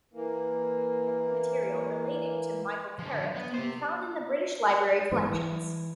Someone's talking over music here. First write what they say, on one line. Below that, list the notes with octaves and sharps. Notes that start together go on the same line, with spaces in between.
Archival material relating to Michael Carritt can be found in the British Library collections.
E3 A#3
D3 F3
B3
G4 C5
G#2 E3
E3